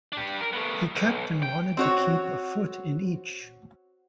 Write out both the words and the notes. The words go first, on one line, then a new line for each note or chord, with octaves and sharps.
He kept and wanted to keep a foot in each.
D4 G4
A#4
A3 B3
B1
G5
C4 F#4 C#5